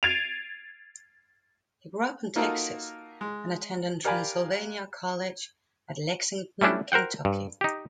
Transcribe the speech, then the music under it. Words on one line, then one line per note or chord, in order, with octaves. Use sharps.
He grew up in Texas and attended Transylvania College at Lexington, Kentucky.
G#6 A6 C7 D7 D#7 F7
A#3 D#4 F4 F#4 A4 A#4
G#3
G4 A#4 D5 F5 G#5 B5
G3 A3 C#4 D4 E4
A#4 C5 F#5 G5
G2
D#4 G4